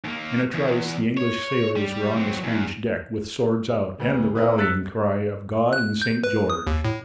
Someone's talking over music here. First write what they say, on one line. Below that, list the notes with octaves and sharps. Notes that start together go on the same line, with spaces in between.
In a trice the English sailors were on the Spanish deck with swords out and the rallying-cry of 'God and St George!
D#2 A#3
E2
C#5
G3
F#3 C4
E2
D2 B3
B3 C4 E4 A#4
E6 F#6 A6 B6 C#7
F#6
G6
B4
D#6
D#2
A2